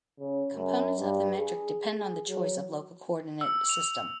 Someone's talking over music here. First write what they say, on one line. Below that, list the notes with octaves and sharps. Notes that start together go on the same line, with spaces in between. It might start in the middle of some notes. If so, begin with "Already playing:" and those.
The components of the metric depend on the choice of local coordinate system.
C#3
F#2
G2
G#4
G#4
F#3
E6
F7